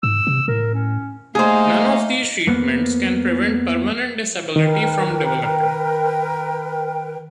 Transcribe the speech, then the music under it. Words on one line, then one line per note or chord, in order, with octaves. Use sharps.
None of these treatments can prevent permanent disability from developing.
G#2 E6
C3
A2 A#4
C#4
A3 A#3 D#4 G#4 C5 F5
F2 A#3 B3
D#3 A#4 B4 G5